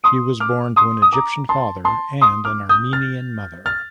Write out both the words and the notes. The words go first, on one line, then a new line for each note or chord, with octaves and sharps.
She was born to an Egyptian father and an Armenian mother.
C6 D#6
D6 F6
C6 D#6
D#6
A#5 D6
A5 C6
A5 C6
C6 D#6
D6 F6
D#6 G6
F6 A6
F6 A6